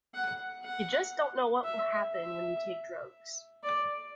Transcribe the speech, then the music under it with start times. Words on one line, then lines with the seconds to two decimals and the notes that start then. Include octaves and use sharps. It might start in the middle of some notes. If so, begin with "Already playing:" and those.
You just don't know what will happen when you take drugs.
0.14 F#5
0.64 F#5
1.64 E5
2.13 E5
3.63 D5